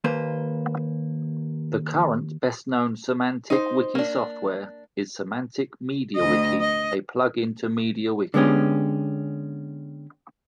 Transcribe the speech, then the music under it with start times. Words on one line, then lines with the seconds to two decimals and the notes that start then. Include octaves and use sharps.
The current best-known semantic wiki software is Semantic MediaWiki, a plugin to MediaWiki.
0.04 D#2 A#3 B4 C5
3.50 D#4 C5
3.95 A#3 D4
6.15 D2 D#5
6.60 D#5
8.34 D3 G#3 B3 C#4 G4